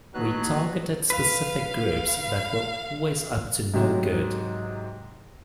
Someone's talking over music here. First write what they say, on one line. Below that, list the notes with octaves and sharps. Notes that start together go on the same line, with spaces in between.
We targeted specific groups that were always up to no good.
D#2 B2 F#3 B3 F#6
B4 F5
G#2 C3 F#3